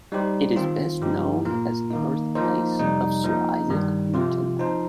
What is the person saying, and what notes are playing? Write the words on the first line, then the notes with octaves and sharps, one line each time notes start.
It is best known as the birthplace of Sir Isaac Newton.
G3 D#4 G4 C5
D#3 C4 F4
G2 F3 D#4 G4
A#2 A#3 F4 A#4
D#3 A#3 D#4
F3 A#3 D#4 C5
F2 C3 G3 D#4
F3 A#3 D#4
G2 D#3 G3
C3 F3 C4 F4
F3 D#4 C5